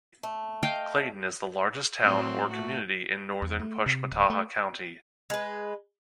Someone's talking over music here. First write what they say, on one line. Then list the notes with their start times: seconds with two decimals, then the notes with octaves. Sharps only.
Clayton is the largest town or community in northern Pushmataha County.
0.23 A3
0.63 D#5 F5 G5
2.00 A2 F#3 C4
2.52 A3 F#4
3.42 E2
3.59 A3
3.86 C3
4.12 D1
4.30 A3
5.30 G#3 B4